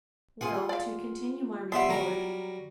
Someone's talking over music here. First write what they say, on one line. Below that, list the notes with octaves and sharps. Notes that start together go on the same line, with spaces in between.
Well, to continue my report.
F4 G#4 F#5 G#5
D5 F5
G3 B3 E5 F#5 C6
F#3 G3 A#4